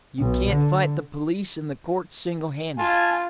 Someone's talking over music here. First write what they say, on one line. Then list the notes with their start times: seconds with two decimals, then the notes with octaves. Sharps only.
You can't fight the police and the courts single-handed.
0.18 B1
0.48 D3
2.78 F4 G#5 A5